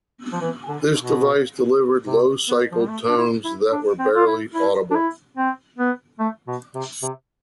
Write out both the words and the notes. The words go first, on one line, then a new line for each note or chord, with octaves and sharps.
This device delivered low-cycled tones that were barely audible.
F3
E3
D3
B2
C3
B3
F3
G3
A3
D4
E4
E4
D4
C4
F4
E4
E4
D4
E4
C4
B3
A3
B2
C3
C3